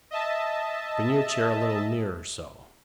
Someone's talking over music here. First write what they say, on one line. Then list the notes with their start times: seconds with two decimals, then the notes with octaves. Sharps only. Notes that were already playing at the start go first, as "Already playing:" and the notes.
Bring your chair a little nearer--so.
0.11 D#5 E5 A5